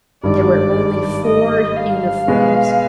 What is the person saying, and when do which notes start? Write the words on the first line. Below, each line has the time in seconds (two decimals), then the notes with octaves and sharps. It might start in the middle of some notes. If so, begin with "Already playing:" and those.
There were only four uniforms.
0.23 G#1 G2 D#3 G3 D5
1.25 D#5
1.77 F5
2.28 B2 G#3 B3